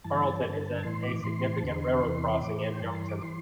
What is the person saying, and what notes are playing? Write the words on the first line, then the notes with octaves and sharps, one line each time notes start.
Carleton is at a significant railroad crossing and junction.
G2 E3 A5
G2 D3
A2 E3 C6
D6
A2 E3 C6
A5
E2 D3 C6
E2 C3 E3
A2 E3 D6
C6
G5
G2 E3 A5
C6
D6
E3 C6